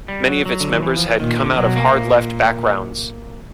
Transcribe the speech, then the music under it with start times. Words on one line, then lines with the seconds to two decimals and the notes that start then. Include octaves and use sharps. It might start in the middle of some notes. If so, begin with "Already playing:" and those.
Many of its members had come out of hard left backgrounds.
0.08 G3
0.27 F#3
0.46 F#3
0.61 D3
0.72 D#3
0.82 E3
0.97 F3
1.09 E3
1.20 A#2 D#3
1.39 D3
1.57 B2 F#3
1.76 A#3
1.94 A#2